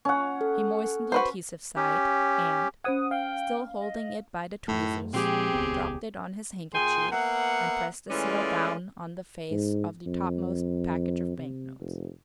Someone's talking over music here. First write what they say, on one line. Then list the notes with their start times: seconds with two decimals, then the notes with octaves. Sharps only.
He moistened the adhesive side, and, still holding it by the tweezers, dropped it on his handkerchief and pressed the seal down on the face of the topmost package of banknotes.
0.05 C#4 F#5
0.41 A4
1.12 F#4 B4 C5
1.76 C#4 G4
2.84 C#4 C5 F#5 D#6 G#6
3.11 F5 G5
3.79 D#5
4.68 F#2 A2 A3
5.14 A#2 F3 G#3 C4 G4 G#4
5.53 D#1 C#2 B3
6.74 A#2 G#4 G5 G#5 C6
7.12 A#3 B3 E5 F#5
8.11 E3 G#3 A3 C#4 F4 D5
9.51 G#2
10.06 F2
11.38 C3
11.80 F1